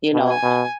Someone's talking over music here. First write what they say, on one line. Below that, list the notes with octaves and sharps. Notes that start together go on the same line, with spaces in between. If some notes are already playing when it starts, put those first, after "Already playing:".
You know,
B2
G#5
B2